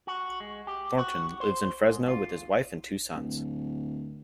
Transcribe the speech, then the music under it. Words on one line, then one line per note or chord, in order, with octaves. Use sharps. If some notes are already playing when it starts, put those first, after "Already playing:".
Thornton lives in Fresno with his wife and two sons.
F#4
G#3
G4
F#4
C5
G#2
F4
D1